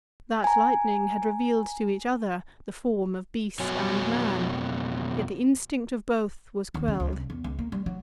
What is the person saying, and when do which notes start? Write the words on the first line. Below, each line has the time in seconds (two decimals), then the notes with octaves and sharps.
That lightning had revealed to each other the form of beast and man; yet the instinct of both was quelled.
0.44 G#5 A#5
3.60 F2 B2 F#3 F#4 C#5 G#5
6.74 D#2
6.88 C#3
7.00 C#2
7.13 C2
7.30 E2
7.44 C#2
7.59 A#3
7.72 G3
7.86 F#3